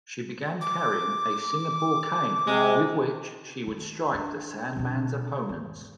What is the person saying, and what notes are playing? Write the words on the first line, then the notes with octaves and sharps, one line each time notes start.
She began carrying a Singapore cane with which she would strike The Sandman's opponents.
D6
C3 G#3
D#3
D4
B2 D3
G#1 E2